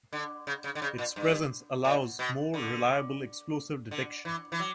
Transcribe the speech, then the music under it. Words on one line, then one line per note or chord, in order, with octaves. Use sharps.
Its presence allows more reliable explosive detection.
D3
C#3
C#3
D3
C#3
A#2
G2
A#2
B2
D3
D3
E3
E3
F#3